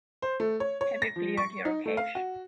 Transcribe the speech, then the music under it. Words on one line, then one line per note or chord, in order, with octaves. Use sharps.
Have you cleared your cache?
C5
A3
C#5
C#5
A#6
F3
C#6
D#4
A3
F5
F#4